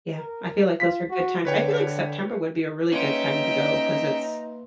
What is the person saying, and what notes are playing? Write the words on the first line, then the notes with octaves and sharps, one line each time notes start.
Yeah, I feel like those are good times. I feel like September would be a really good time to go 'cause it's
A#4
F4 B6
F#4
D3 B4 C#5 G5
A#3 C#4 D#4 B4 E5 G5 C6